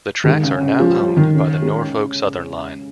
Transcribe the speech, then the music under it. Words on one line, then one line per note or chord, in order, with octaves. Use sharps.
The tracks are now owned by the Norfolk Southern line.
D#3 G#3
C#3
C#4
C#3
F3 G#3
G3
F3
G4
D#3
C#3
G#3